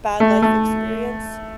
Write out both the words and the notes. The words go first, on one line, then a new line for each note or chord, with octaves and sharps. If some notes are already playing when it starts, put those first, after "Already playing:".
bad life experience.
A3
A3